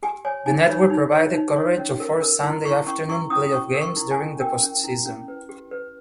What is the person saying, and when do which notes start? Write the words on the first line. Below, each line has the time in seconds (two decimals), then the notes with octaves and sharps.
The network provided coverage of four Sunday afternoon playoff games during the postseason.
0.03 G4 G#5
0.25 C#5 G#5
0.46 D#4 G#5
0.69 C#5 B5
0.90 D#4
1.12 C#5
1.34 D#4
1.56 C#5
1.78 C#4
2.00 A#4
2.22 A#4
2.43 E4
2.65 E4 C#6
2.87 C#4 C#6
3.09 E4 C#6
3.30 C#4 D#6
3.53 C#4 C#6
3.74 A#4
3.81 C#6
3.97 E4
4.11 G#5
4.18 C#4
4.40 A#4 G5
4.63 C#4
4.84 E4
5.06 C#4
5.28 B4
5.49 G4
5.71 B4